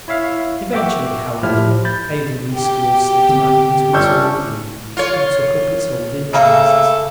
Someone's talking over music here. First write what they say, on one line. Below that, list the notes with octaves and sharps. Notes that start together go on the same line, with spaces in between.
Eventually, however, Avonlea school slipped back into its old groove and took up its old interests.
E4 C#5 E5 F5
E5 F#5 G5 C#6 D6
A2 F3 E4 G4 F6
B5 G6 A6
G4
D3 B3 C4
G1 C#4 D4 C#6 E6 G6
F4 C#5
C#3 A#3 A4 E5